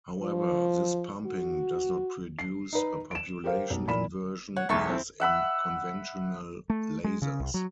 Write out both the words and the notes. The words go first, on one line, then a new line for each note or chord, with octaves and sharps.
However, this pumping does not produce a population inversion as in conventional lasers.
F3
F#4
C7
D#4 B4
D7 E7
G4 A#4 C5 F5
B1
A#2 E3 B5 E7
C#5 F#5
B1 E2 E5 A5 C#6
C4 E4
E5 F#5 B5 E6
A3
G#3
C#3
C2
F#3